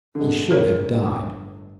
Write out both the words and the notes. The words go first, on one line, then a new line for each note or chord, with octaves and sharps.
He should have died.
G1 A2 D3 G#3
G#4 A#4 C#5